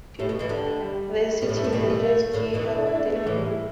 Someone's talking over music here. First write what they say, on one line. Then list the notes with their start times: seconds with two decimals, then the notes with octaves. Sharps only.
The City Manager is G. Harold Duffey.
0.19 A2 A3
0.29 B2
0.39 B2 E3
0.49 D3 G3
0.81 G3
1.41 B2 G3
1.49 A2
1.57 G2 A3
1.64 A2
1.73 B2 E3 G3
1.83 G3
1.94 A3
2.04 A3
2.33 A2 D3
2.54 B2 E3
2.64 B3
2.75 D4
2.86 E4
2.96 D4
3.05 B3
3.16 A3
3.26 A2 E3
3.36 G3
3.46 E4